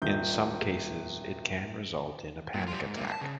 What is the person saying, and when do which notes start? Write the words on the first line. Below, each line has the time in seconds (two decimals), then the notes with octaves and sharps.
In some cases, it can result in a panic attack.
0.02 D#1 G6
2.54 A#2 F#3
2.68 G3 F4
2.82 G#2
2.96 G2 A#3
3.08 F4 A5
3.21 C#3